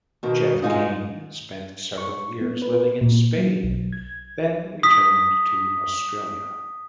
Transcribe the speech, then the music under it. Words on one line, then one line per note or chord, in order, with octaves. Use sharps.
Geoff Cain spent several years living in Spain, then returned to Australia.
B2 D#3
G#2 G3 G#3 D#4 F4 D#5
C#6
B3
B4
A#2
F#3
B1
G#6
D#6 B6